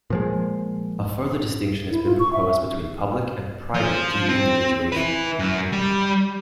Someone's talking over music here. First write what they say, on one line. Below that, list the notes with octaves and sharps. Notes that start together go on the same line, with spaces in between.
A further distinction has been proposed between public and private deindividuation.
A#2 F3 G#3
E4
F4
C#6
E5
F3
C4
E4 B4
F#2
G3